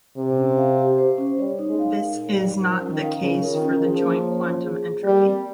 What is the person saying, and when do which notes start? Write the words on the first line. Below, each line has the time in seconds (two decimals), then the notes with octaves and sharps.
This is not the case for the joint quantum entropy.
0.17 C3 C5
0.37 C#4
0.57 F5
0.78 G4
0.98 C5
1.18 C#4
1.38 G3 C#5
1.59 D#4
1.68 G#3
1.79 F5
2.00 A#4
2.20 C#5
2.29 G3
2.41 D#4
2.60 F3 A#4
2.81 C#4
2.91 D#3
3.01 F5
3.21 C#3 F4
3.42 A#4
3.52 D#3
3.62 C#4
3.82 F3 G#4
4.03 A#3
4.23 C#5
4.43 C#4
4.63 G#4
4.84 A#3
5.04 G3 A#4
5.24 C4